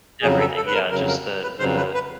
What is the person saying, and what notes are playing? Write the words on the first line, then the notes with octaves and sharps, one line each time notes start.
everything, yeah, just the the
F2 C#3 F#3 G#4
A4
A4
B4
A#4
F2 C#3 F#3 A#4
A#4
B4
F2 C#3 F#3 C5
B4
B4